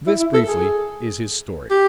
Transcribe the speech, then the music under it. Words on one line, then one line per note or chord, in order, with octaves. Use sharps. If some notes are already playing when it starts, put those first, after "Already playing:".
This, briefly, is his story.
E4
E4
A4
G#4
G4